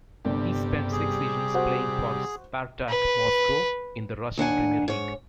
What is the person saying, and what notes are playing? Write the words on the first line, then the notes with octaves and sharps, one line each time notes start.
He spent six seasons playing for Spartak Moscow in the Russian Premier League.
G1 G2 C3 G3
G#4
F#4 C5 F#5
B4
D#2 D4 F#5 G#5
G#2 C#5